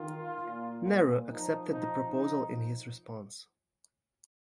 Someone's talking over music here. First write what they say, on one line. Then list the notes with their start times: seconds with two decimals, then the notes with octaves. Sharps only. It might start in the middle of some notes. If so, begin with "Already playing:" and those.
Nehru accepted the proposal in his response.
Already playing: D#3 F4
0.46 A#2
0.88 A#2
1.31 F3 D#4
1.72 D#4
2.14 D#4